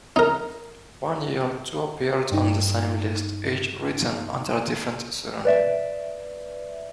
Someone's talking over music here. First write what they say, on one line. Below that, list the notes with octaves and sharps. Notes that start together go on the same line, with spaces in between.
One year, two appeared on the same list, each written under a different pseudonym.
D#4 A#4
G2 D#4
B4 D5 E5